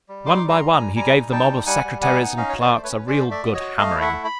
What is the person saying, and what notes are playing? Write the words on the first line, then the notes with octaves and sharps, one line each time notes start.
One by one, he gave the mob of secretaries and clerks a real good hammering.
G3
D#4 C6 D6
G3
A#5 C6
G3
G#5 A#5
G3
G3 G#5 A#5
D#4
D#4 G5 A5
G3
G3 F#5 G#5
G3
B3 F#5 G#5
D#4
C#4 D#5 F5
C#5
F#4
C5 D5
A3
B4 C#5
C#4
C#4 C5 D5
A3
D5 E5
F#4
C#5 D#5
F#4
A3 D#5 F5
E4
E5 F#5
A3
B5